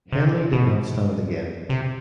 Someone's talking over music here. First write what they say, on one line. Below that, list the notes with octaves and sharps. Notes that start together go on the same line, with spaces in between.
Henley did not stand again.
C3
B2
C3